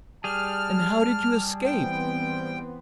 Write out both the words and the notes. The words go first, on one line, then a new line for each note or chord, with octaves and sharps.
"And how did you escape?"
G3 G#4 A5 F6
E3 B3 C4 G5